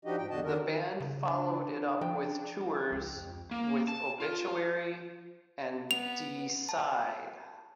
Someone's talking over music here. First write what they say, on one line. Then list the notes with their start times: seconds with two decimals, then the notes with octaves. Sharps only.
The band followed it up with tours with Obituary and Deicide.
0.05 F3 D4 D#4 F#4 G4 D#5
0.18 G#2 G5
0.30 E2 D3 D4 F#4 D#5 A5
0.44 D#3 D4 F#4 A#4
0.61 D#3
1.00 C#3
1.25 D4
2.01 F3 G5
2.92 C#2
3.16 F2
3.51 A#3
3.88 A5
4.20 F4
5.91 B3 F7
6.69 A5